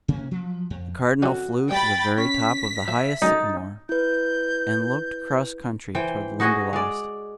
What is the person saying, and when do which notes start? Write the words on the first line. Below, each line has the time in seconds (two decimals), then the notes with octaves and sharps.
The Cardinal flew to the very top of the highest sycamore and looked across country toward the Limberlost.
0.08 C3 A#3 C#4
0.31 F3 F#3
0.70 F2
1.23 F2 D3 C#4 F#4
1.71 G3 G5 B5 A6
2.18 C#4 B6
2.88 F3 E5
3.22 F#2 D3 G#3 D#4 A6
3.89 E4 B4 G6
5.95 E3 C5 G5
6.40 D#4 F#4 G#4 D#5
6.73 G#3 D5